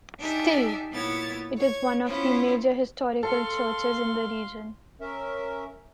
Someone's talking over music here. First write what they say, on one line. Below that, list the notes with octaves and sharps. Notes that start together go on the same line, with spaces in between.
Still, it is one of the major historical churches in the region.
D4 D#4 G4 E5 G#5 A5
A#2 B3 E4 C#5 G#6 A6
C#5 G#6
B3 C#4 E4 F4 C5
A4 F5 C6
C#4 A#4 E5